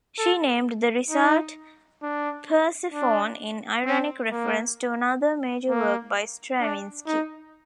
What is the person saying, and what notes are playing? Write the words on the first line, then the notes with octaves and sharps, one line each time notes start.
She named the result "Persephone" in ironic reference to another major work by Stravinsky.
A4
D#4
D4
D4
C4
A#3
A#3
D4
D#4